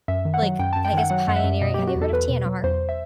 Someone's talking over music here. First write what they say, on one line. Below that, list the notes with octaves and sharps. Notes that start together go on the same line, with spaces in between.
like, I guess, pioneering Have you heard of TNR?
F#2 E5
D#3
F#5
F#3
F#2 G5
F#2 A5
G5
D#3 F#5
F#3 F#5
F#2 F#5
E5
F#2
B2 D#5
F#3 G4
F#4
E2
A4
E2 B4
B2
F#3
E2 C5
E5